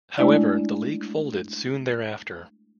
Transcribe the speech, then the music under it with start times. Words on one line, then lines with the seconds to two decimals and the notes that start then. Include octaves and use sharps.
However the league folded soon thereafter.
0.18 G#3 A3 D4 E4 D5